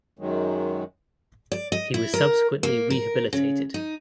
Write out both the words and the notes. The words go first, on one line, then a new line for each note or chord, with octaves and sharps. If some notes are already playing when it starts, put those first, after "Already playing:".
He was subsequently rehabilitated.
F#2 D#3 F#3 G#3
D5
D#5
E4
A#4
A#3
A#4
C#3
D#4